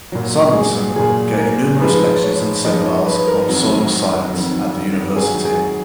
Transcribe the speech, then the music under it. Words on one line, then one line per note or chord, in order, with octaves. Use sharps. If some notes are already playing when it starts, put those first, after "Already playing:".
Simonson gave numerous lectures and seminars on soil science at the university.
A#2 F#3
G#4
A#2 F#3 G#4
A#4
G#2 F3 G#3 B4
C#5
G#2 F3 G#3 D#5
C#5
B4
A#4
F2 D#3 F#3
F2 D#3 F#3
G#2 D#3 F#3 G#4
G#4